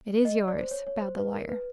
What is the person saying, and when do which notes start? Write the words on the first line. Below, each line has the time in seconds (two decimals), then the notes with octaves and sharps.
"It is yours," bowed the lawyer.
0.25 D#5
0.48 D5
0.61 C5
0.71 C#5
0.87 C#5
1.02 C5
1.18 B4
1.33 A#4
1.49 B4